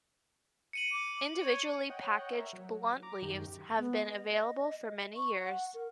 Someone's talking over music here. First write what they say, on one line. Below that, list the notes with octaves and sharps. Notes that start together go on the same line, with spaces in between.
Individually packaged blunt leaves have been available for many years.
C#7 D#7 F#7
D6
C#5
C#5 D#5 F#5 G5
A#4 C#5 E5
F#3
A#5 D6
F#2 D#3 G4
B3
D#5
C#6
F#5
A#4